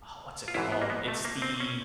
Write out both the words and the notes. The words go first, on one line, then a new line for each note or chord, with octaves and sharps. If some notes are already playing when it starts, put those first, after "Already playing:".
uh, what's it called? It's the
F4
A1 G#2 E3 E4
B3
A#3
B3
A3
A#3
C4
C#4